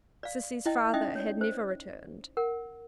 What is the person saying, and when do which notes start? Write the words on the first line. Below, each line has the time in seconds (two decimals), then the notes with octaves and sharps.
Sissy's father had never returned.
0.23 D5 F5
0.66 E4 D#5 G5
0.93 C#4 D#4 D#5 E5 G5 D#6
1.15 C#5 D5
1.41 C5
2.37 A#4 F#5